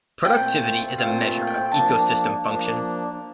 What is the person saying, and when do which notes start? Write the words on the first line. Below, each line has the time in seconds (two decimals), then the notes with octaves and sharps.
Productivity is a measure of ecosystem function.
0.25 A#2 A3 C4 F4 G5
0.98 A#2 A3 C4 F4 F5
1.22 F5
1.47 G5
1.72 F3 A#3 D4 A5
2.45 F3 A#3 D4